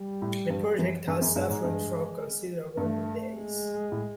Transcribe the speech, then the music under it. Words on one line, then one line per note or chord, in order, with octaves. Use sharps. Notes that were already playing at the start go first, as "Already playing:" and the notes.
The project has suffered from considerable delays.
Already playing: G3
A2
G2
F#2
G2 G#3
F#2
G2
G#2
G2
G2 A3
G#3
A2